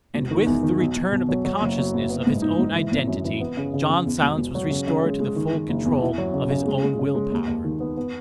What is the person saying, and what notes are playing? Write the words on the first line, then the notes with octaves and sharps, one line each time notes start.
And with the return of the consciousness of his own identity John Silence was restored to the full control of his own will-power.
E1
D#3
E2
D#3
B1
B1
B2
F#3
F#3
F#1
F#3
F#1
B3
G#2
D#4
G#2
E3
G#1
F#2
E3
B3
C#3
C#3
C#3
E2
E1
E1
F#3
C#3
C#3
G#3
G#3
D#3
D#3
F#1
E2
E4
F#3
C#3
C#3
G#3
G#3
C#3
G#3
D#2
D#2
D#3
B3
B3